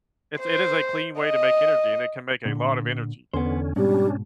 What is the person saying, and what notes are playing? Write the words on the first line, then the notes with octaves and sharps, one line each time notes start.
It's it is a clean way to make energy, and it can make a lot of energy.
C5
D#5
A#2 D3
E2 D3 B3 C#4 C5
G#2 B2 G3 C#4 D4